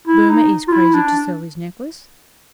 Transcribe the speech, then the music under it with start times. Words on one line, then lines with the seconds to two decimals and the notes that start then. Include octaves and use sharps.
Boehmer is crazy to sell his necklace.
0.07 E4
0.29 D#4
0.68 F4
0.72 E4
0.94 D4